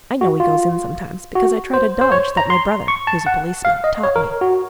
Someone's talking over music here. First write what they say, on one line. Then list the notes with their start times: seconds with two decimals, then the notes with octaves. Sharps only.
I know he goes in sometimes because I tried a dodge that my brother--who's a policeman--taught me.
0.21 F#4
0.40 F4
1.35 F#4
1.74 C5
2.01 C5
2.12 C#5
2.37 A#5
2.50 C6
2.88 C#6
3.07 A5
3.27 F#5
3.65 F5
3.84 D#5
4.04 C#5
4.16 A#4
4.41 F#4